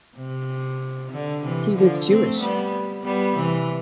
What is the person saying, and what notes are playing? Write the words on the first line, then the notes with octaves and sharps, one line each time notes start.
He was Jewish.
C3
D3
C3 E3
D3 F3
A3 C4
G3 B3
G3 B3
C3 E3